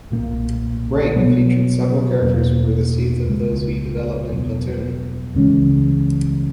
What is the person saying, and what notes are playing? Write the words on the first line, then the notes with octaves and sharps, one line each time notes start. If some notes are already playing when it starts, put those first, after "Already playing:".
"Break" featured several characters who were the seeds of those he developed in "Platoon".
B1 A#2 A#3
B2 F#3 B3
E2 B2 A#3
C#2 C#3 G#3
E2 B2 F#3 B3
C#2 C#3 E3 G#3 C#4